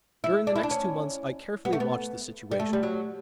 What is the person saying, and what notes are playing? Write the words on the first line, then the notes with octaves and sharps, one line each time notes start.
During the next two months I carefully watched the situation.
E4
D4
E4
D4
C#4
B3
A3
B3
G3
A3
G3
F#3